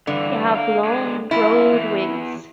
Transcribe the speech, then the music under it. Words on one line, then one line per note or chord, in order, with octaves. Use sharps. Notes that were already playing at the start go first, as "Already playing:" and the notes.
They have long, broad wings.
G2 D3 E3
A#4 F5
G#3 D4
F#2 E4 F4
E2 E3